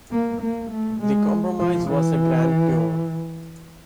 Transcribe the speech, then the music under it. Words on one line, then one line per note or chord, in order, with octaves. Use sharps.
The compromise was a Grand Tour.
A#3
A#3
A3
G#3
F3
E3